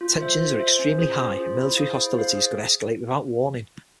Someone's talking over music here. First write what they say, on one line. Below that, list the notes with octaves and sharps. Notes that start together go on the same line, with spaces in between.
Tensions are extremely high and military hostilities could escalate without warning.
F4
C5 E5
F4
C5 E5
C#4
F4 G#4 C5
C#4
F4 G#4 C5
E4
G#4 C5 F5
E4
G#4 C5 F5
G#4